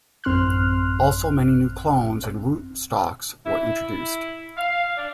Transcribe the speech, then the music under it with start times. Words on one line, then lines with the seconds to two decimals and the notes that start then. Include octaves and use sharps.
Also many new clones and rootstocks were introduced.
0.24 A1 F#2 C4 C6 F6 F#6
3.44 E4
4.56 F5
4.97 D4